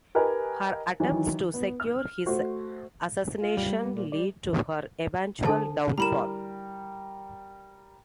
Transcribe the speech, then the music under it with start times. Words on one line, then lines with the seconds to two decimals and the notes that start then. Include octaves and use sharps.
Her attempts to secure his assassination lead to her eventual downfall.
0.15 G4 A#4 B4 D#5 G#5
1.00 D#3 E3 F#3
1.54 B3
1.80 F6
2.26 A3 F#4 C5
3.41 F4
3.57 G3
3.79 A#3
3.95 A#2
4.12 G3 D5
5.45 D3 D4 A4 C5 A5
5.98 G3 E4 A#4 A#5 B5 E7